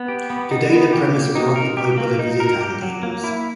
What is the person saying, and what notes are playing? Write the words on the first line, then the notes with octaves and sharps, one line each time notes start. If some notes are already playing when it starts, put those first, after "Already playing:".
Today, the premises are occupied by the Visitandines.
Already playing: B3
G4
B3
D#4
B3
G4
A#3
D#4
A#4
G4
A#3
D#4
A#4
G4
F#3
A#3
E4